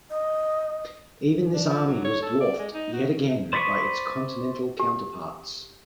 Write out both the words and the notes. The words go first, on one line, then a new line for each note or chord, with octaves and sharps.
Even this army was dwarfed, yet again, by its continental counterparts.
D#5
D4
F3
F#3
C#5
A4
D5
G#3
D#4
F#4
C5 D5 B5 C#6 D#6
G4